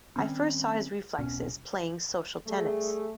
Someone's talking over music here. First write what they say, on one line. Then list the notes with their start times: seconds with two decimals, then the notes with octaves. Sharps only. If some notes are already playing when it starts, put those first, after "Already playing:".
I first saw his reflexes playing social tennis.
0.16 D#3 G3 C4 C#4
1.19 E1 C2 B2 C#4
2.47 G3 A3 G#4